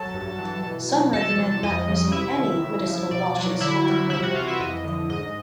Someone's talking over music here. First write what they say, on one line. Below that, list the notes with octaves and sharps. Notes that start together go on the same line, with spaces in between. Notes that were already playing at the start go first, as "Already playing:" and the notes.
Some recommend not using any medicinal washes on the cord.
Already playing: F#3 A4 A5
G2
E3
B2
F#3
E2 A4 A5
C3
F2 D#5
C#3
C3 E4 E5
D#3
C#3
F3
B2 D5
F#3
D3 E4 E5
G3
C3 E4 E5
F#4 F#5
E3 F4 F5
E4 E5
F2 D#5
D3
G#2 D#5